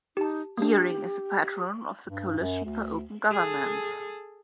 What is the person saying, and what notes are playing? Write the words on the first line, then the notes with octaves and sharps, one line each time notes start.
Geering is a patron of the Coalition for Open Government.
D#4 G4 A5
A#3 D4 G4
G2
F#2
D2
G#4 A4